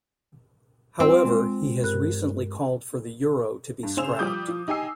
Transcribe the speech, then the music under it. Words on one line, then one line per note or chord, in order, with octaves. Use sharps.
However, he has recently called for the euro to be scrapped.
C4 F4 E6
G#3
G2 A#4 F#6
G2
C#3 G#4 C5 E6 E7 F7
F3 G3 D6 D#6 G6
F3
D#4 G4 G#5 E6 C7